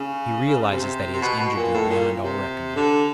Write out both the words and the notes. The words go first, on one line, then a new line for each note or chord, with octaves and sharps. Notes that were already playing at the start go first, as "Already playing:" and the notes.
He realizes that he has injured you beyond all reckoning.
Already playing: C#3
C3
C3
B2
B2
A#2
A2
A#2
C3
D3